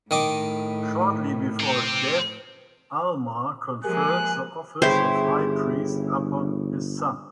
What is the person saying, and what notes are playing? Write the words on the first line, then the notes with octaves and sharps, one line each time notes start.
Shortly before his death, Alma conferred the office of high priest upon his son.
A2 D#3 D#5 D6
C4 G4
F3 G#3 A#3 G4 G#4 A#4 G#5 F#6
G1 C#3 E4 G4 C5